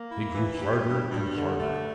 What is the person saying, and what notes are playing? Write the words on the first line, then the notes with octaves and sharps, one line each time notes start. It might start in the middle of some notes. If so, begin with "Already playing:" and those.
They grew harder and harder.
Already playing: A#3
E4
E3
G4
G2
G2
D3
A3